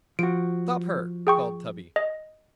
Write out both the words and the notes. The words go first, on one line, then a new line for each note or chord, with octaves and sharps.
'Stop her! called Tubby.
F3 F#4 D7
G#4 G5 C#6
D#5